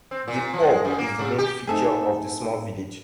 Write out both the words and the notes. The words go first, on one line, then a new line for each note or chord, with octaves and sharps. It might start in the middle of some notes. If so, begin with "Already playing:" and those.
The pub is the main feature of the small village.
C4
A#2
F3
G#3
F#2
A#3
C3
G4
A3 C4 D#4 G#4 A4 E5